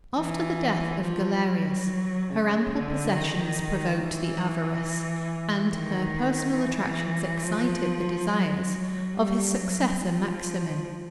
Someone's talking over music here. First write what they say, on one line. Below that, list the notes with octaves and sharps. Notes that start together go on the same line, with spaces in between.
After the death of Galerius, her ample possessions provoked the avarice, and her personal attractions excited the desires, of his successor Maximin.
E3
F3
F#3
C#3
D3
D#3
E3
D#3
E3
F3
F#3
G3
F#3
F3